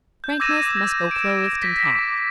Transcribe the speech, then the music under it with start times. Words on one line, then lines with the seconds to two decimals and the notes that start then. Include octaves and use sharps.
Frankness must go clothed in tact.
0.24 G6
0.40 D6 E6 G#6 A#6 D#7 E7
0.77 A#6
1.11 D7 E7
1.62 A#6 B6
1.85 D6